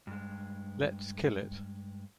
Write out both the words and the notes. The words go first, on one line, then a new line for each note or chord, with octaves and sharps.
Let's kill it.
G2 G#3